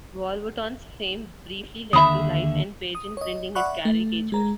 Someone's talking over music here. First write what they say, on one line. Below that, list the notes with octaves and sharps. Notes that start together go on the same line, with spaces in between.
Wolverton's fame briefly led to "Life" and "Pageant" printing his caricatures.
D#2 D3 E5 B5 D#6
D#6
C#5 D#5
D5 E5 F#5 B5 C#6 F#6
A3
G#3 A#5